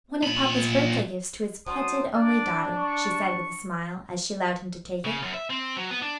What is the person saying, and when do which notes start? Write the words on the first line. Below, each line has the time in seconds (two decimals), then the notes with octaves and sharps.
"One of papa's birthday gifts to his petted only daughter," she said, with a smile, as she allowed him to take it.
0.23 A#2 B5
1.67 F#3 D4 C5 D#6
2.14 D4 D5
2.75 C#6
5.05 C#3
5.22 F#2
5.34 E5
5.50 C4
5.77 F#3
5.90 B3
6.02 D4